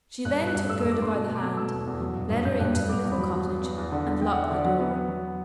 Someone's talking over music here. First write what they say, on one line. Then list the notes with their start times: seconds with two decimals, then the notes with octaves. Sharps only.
She then took Gerda by the hand, led her into the little cottage, and locked the door.
0.25 G2 F#6
0.40 G2
0.48 F#6
0.54 G2
0.69 A3 E6
0.80 G2 E6
0.92 D6
0.99 A3 C6
1.13 B2 C6
1.28 A3
1.35 D6
1.43 B2
1.57 B2 E6
1.71 E2
1.87 E2
2.01 F#3
2.16 G2
2.30 G2
2.45 G2 G6
2.59 G2 F#6
2.74 G2 F#6
2.89 B3 D6
3.03 E2
3.12 B5
3.18 F#3
3.33 F#3
3.47 F#3
3.63 B3
3.78 E2
3.92 D3
4.07 E2
4.21 D3 G5
4.33 D3 F#5
4.43 E5
4.51 D3 D5
4.65 F#3 F#5
4.80 B3
4.94 B3
5.08 F#3